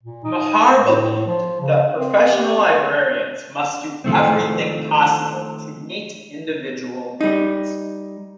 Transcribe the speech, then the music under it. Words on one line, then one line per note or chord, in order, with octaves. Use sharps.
Mahar believed that professional librarians must do everything possible to meet individual needs.
A#2
D#4
A2
F3
C#3
C4
G4
D#3 F3 A3 C4
G3 D#4